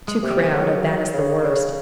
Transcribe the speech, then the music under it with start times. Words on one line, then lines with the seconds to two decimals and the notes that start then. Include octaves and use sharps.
Too crowded, that is the worst.
0.08 G#3
0.22 C3
0.31 G3
0.41 F3
0.52 C#3 F#3
1.13 C#3
1.43 C#3